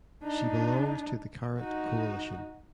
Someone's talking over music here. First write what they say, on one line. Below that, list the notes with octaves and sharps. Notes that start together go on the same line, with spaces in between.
She belongs to the Karat Coalition.
D4 D#4
D#4 F#4